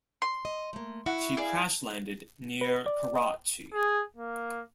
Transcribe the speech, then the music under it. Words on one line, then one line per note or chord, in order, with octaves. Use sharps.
She crash-landed near Karachi.
C6
D#5
A3 A#3
E4 F#4
G#4 D5 F5
B4
D5
D#5
G#4
A#3